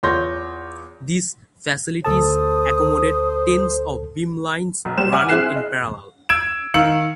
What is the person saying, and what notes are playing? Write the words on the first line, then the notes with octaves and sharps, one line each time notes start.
These facilities accommodate tens of beamlines running in parallel.
E2 F4 C#5 C6 G6 A#6
D2 A4 C5 A5 D#6
B1
G3 C5 E7
E5 F#5 G#5 D6 F6
C4 E4 G#4 F#6 C7 E7
D#5
E6 G#6 D7 E7
D#3 F5 E6 C#7 F#7